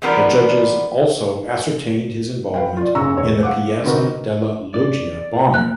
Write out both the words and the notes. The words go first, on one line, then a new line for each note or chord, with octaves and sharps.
The judges also ascertained his involvement in the Piazza Della Loggia bombing.
E3 F3 G3 B3 D4 A#4
B4 F5 G5
F4 D5
F#1 C#3 A#5 C#6 E6
E1 C#5
F5 F#5 D6
D3 B3 C4 D#4 F#4 A#4
D5
A#2 F#6